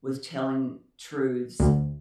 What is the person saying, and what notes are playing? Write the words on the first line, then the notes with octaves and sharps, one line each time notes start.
with telling truths.
D2